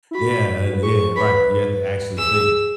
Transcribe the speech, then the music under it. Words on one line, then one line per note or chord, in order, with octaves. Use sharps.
yeah, and yeah, right, you have to actually think
E4
F#4 B5
B4
G#4 C#6
G#4
B4 B5
B4
B4
G#4 E6